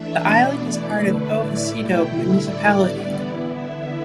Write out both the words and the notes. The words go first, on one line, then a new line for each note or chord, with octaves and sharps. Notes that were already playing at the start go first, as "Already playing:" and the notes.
The island is part of O Vicedo municipality.
Already playing: E3 A3 D4 E5
B2 B3 D4 D5
E3 A3 E4
D3 A3 D4 B4
A2 A3 E4 D5
B2 A3 E4 G5
D3 G3 E4 E5
A2 A3 E4 D5
D3 G3 B3
E3 B3 E4
D3 B3 E4 E5